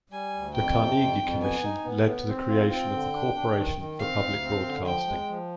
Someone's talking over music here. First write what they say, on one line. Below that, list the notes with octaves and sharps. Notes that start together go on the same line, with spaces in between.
The Carnegie Commission led to the creation of the Corporation for Public Broadcasting.
G3 G#5
D2
F2 G5
C3
F2
F2
B3 G#5
D#4
B3
B3
C4
F4
C4 G5
D3
D4
D4
D#3
D#3
C4 F5
D2
C4
D3
F3 G5
G#3
F3